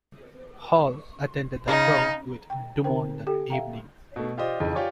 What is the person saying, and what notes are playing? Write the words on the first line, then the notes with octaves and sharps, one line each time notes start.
Hall attended the prom with Dumond that evening.
C#3 D#4
G5
D3 C4 D#4 A#4 C5 G5
G4 A4 G5
E5 F5 G5 A#5
B2 A3
F4 G4 C5 D5 D#5
F2 C#3 E3 D#4
F4 G4 C#5 D5 G#5 D6